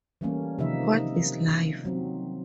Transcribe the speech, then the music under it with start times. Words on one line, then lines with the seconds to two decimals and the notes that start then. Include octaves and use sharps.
What Is Life?
0.21 E3 G3 A3 A#3 C#4
0.59 C3 D#3 F3 D#4 E5
1.85 F#3 C4